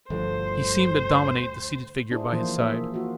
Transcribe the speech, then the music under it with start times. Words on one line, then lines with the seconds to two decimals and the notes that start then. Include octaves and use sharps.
He seemed to dominate the seated figure by his side.
0.10 G1 D2 G2 F3 C5
2.11 D4 E4 G#4 C5
2.32 E3 F3 A#3 F4 C5
2.58 A#3 G#4 E5
2.94 F4 F#4